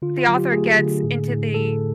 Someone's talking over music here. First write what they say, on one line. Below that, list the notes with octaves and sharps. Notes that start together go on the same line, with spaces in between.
the author gets into the
D3 F4
F4
F#3
G4
A3 G#4
D3
A2
A2
A2 A4